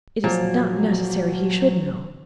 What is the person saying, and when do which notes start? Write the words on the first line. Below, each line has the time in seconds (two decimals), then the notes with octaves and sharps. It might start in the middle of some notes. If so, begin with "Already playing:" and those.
It is not necessary he should know.
0.24 A#2 F3 F#3 F#4